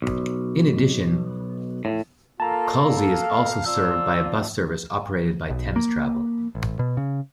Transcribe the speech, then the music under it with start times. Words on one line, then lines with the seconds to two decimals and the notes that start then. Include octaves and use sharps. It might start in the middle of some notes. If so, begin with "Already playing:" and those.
In addition, Cholsey is also served by a bus service operated by Thames Travel.
0.02 B1
1.85 A2
2.40 A#3 F4 A4 A5 A#5
3.00 F5
3.66 C4 F4 D5 E6
5.50 B1
5.76 A#3
6.55 A1
6.79 B2
6.97 C#3